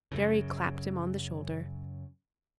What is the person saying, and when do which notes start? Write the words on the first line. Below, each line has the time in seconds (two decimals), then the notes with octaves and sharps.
Jerry clapped him on the shoulder.
0.12 F#2 C#3